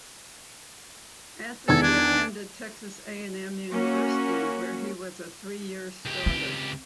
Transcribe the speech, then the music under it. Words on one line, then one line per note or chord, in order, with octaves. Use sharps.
Anthony attended Texas A and M University, where he was a three-year starter.
E2 D#3 A4 G#6
D4
A#3 C#4 F#4
C#2 G4
C4